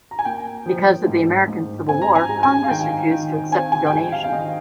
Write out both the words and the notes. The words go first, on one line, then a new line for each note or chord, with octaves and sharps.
Because of the American Civil War, Congress refused to accept the donation.
A#5
G#5
A#3 G5
F3
G#2
G#2
C4 G#5
A#5
G#5
G#3 A#5
G#5
F5
D#3 G5
D#3
C4 G#5
G#5
G5
G#3 G#5
F5
F5
D#3 D#5